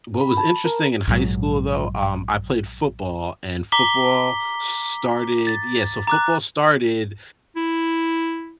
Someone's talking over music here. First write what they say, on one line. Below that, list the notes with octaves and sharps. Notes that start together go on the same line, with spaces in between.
what was interesting in high school though, um, I played football and football started yeah, so football started,
B5
A5
A#4
A#1 G#2 F#3
A#5 D6 B6 G7
A6
A#5 D6 F#6
E4